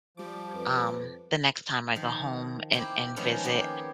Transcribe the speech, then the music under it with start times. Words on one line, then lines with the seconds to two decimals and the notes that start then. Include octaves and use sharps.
um, the next time I go home and and visit.
0.17 F3 G3 D6
0.54 F2 B4
1.95 D#3 F3
2.72 A#3 C4 E4 G4
3.16 D#3 F3 G#3 A3 B3 C#4
3.44 A#3 B3 G4 G#4